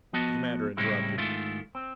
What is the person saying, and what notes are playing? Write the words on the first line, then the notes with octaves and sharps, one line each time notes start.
The commander interrupted.
F3 B3 F#4 D#5 A5
A2 C#3 G3 G#3 C4 E4
G#2 D#3 A3 E4 F4
C4